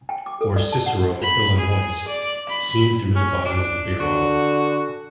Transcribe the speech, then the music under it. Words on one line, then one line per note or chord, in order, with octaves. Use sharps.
Or Cicero, Illinois, seen through the bottom of a beer bottle.
G5
D6
A4
D5
A5
F#5
B5
G#4
D5
B5
C#4
D4
D3 F#4